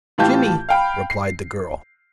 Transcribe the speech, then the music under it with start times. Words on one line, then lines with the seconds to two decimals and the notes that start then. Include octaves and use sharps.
"Jimmy," replied the girl.
0.18 A2 E3 F4 G4 A5 G6
0.69 F5 G5 B5
1.10 C7